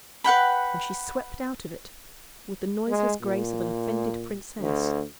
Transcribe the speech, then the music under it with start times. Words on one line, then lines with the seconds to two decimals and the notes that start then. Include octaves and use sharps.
And she swept out of it with the noiseless grace of an offended princess.
0.24 B4 F#5 G5 B5
2.88 G#3
3.22 A#2
4.60 D2